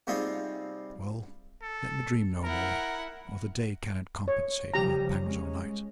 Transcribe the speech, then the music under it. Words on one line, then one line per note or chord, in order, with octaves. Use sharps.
'Well--let me dream no more, or the day cannot compensate for the pangs of night.
C3 G3 C4 D#4 F4 G#4
A4
E4 A#4 F#5
C#5
C#3 F3 G3 G4 A#5
G#3 C#4